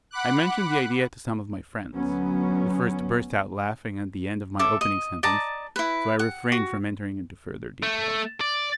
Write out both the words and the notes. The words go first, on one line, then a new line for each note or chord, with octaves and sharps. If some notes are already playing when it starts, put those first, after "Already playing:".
I mentioned the idea to some of my friends: the first burst out laughing at the end of my opening sentence, so I refrained from entering into further details.
F#5 B5 D6 F#6
D2 F#3 B3 C#4
A4 E5 D6
D#5
D5 D#5 A5 A#5
E4 B4
F#5
F#4
A3
D5